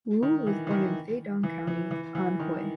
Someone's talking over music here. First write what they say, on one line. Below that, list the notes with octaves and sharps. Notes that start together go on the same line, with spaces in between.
Wu was born in Feidong County, Anhui.
D#3
E3
E3
D#3
E3
E3
E3
E3
D#3